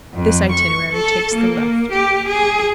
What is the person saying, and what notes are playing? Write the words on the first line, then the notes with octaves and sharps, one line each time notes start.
This itinerary takes the left.
F2
C#6
A4
A#3
G4
G#4